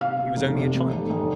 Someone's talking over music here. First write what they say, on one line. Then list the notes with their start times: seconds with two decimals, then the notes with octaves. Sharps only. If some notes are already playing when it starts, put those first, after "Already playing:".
She was only a child.
0.01 C3 F5 F6
0.19 C3
0.37 F1
0.55 C3
0.74 F1
0.93 F1
1.10 F1